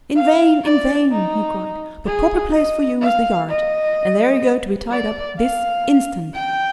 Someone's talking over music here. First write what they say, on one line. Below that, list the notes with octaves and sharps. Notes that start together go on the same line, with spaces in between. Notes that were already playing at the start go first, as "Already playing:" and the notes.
"In vain, in vain," he cried; "the proper place for you is the yard, and there you go to be tied up this instant."
F5
D5
D#4
G#4
D#5
F5
D#5
D5
F5
G5